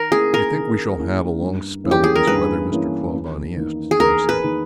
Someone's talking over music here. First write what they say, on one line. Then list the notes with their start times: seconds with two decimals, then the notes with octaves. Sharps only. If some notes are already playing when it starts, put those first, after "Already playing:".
"Do you think we shall have a long spell of this weather, Mr. Clawbonny?" asked Johnson.
Already playing: D#3 A#4
0.12 A#3 C#4 E4 G#4
0.34 A#4
0.55 D#3
0.98 A#3 C#4 E4
1.41 G2
1.84 E3 A#3 C#4 E4
1.91 G4
2.04 G#4
2.16 A#4
2.27 G2 B4
2.70 E3 A#3 C#4 E4
3.14 E2
3.57 D#3 A#3 D#4
3.91 G#4
4.00 E2 A#4
4.29 B4
4.43 D#3 A#3 D#4